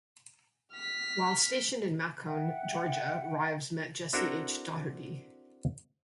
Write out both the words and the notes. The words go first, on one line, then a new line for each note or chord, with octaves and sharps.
While stationed in Macon, Georgia, Rives met Jessie H. Daugherty.
F6 B6
E5 F#5 G5
C4 D4 E4 F#4 A4 A#4